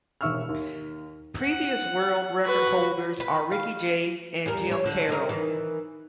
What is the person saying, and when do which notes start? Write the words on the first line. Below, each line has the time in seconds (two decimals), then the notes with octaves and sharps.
Previous world record holders are Ricky Jay and Jim Karol.
0.21 E1 D#2 E5 C#6 E6 F6
0.49 D#2
1.41 F#5
2.45 F#4 B4
3.20 B4
3.52 F5
4.46 E2 G3 A#4
4.69 G3 C#5
4.86 D3 C5
5.09 D#4 A#4
5.29 D#3 E3